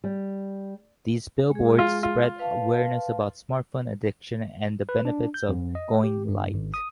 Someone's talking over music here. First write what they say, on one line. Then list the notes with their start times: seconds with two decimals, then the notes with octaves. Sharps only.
These billboards spread awareness about smartphone addiction and the benefits of "going light".
0.04 G3
1.51 G#3 G#4
1.79 F4
2.03 F4
2.39 B4 F5 A5
4.89 B4
5.05 D4
5.34 G6
5.49 F2
5.75 D#5
6.04 G4
6.29 G2
6.54 G#1
6.74 D#6